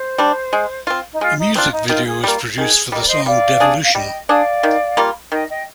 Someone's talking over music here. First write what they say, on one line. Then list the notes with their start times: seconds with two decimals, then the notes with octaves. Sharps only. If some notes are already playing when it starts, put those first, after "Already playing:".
A music video was produced for the song Devilution.
Already playing: C5
0.18 G3 D4
0.53 G#3
0.87 C4 F4
1.12 D#4
1.21 G#3 F4
1.38 D#4
1.55 C4 D4 F4
1.72 D#4
1.89 D#3 F4
2.06 G#4
2.23 G3 A#3 F4
2.58 D#3 G#4
2.92 G3 D#5
2.95 A#3 D5
3.07 C5 D#5
3.26 G3 D5 F5
3.60 D4 G#4
3.84 F5
3.95 G3 D#5 G5
4.29 D4 G#4 D5 F5
4.63 D#3
4.97 G3 A#3 F4
5.31 D#3 D#5 G5
5.49 D#5 G5